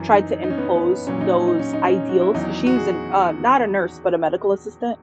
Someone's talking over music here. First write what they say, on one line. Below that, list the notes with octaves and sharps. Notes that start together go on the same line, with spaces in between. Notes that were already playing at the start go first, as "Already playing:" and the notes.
tried to impose those ideals, 'cause she was a n uh, not a nurse, but a medical assistant,
Already playing: F#2 E3
D#4
D#4
C#4
B3
C#4
B3
A#2 F#3 C#4
D#4
C#4
D#4
C#4
D#4
C#4
F#4
E4
E2 D#3 F#3 D#4
F#4
G#4